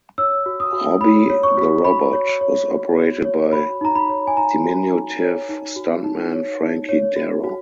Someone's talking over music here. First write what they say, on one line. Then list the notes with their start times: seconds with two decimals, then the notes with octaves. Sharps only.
Robby the Robot was operated by diminutive stuntman Frankie Darro.
0.18 C#5 E6
0.46 F#4
0.60 D#6
0.73 F#4
1.01 C#5 B5
1.30 C#5
1.43 C#6
1.58 F#4
1.85 F#4 B5
2.13 C#5
2.41 C#5
2.70 F#4
2.97 F#4
3.25 C#5
3.53 F#4 B5
3.81 D#4 A#5
3.95 B5
4.09 C#5
4.27 G#5
4.37 D#4 A#5
4.64 F#4
4.93 D#4
5.21 C#5
5.49 D#4
5.76 F#4
6.04 D#4
6.33 C#5
6.61 D#4
6.89 C#5
7.16 F#4
7.44 F#4